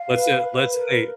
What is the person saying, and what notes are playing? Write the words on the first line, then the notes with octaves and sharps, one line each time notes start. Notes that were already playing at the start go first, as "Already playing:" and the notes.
Lets in let's, hey
Already playing: F5
B4
B4
A#4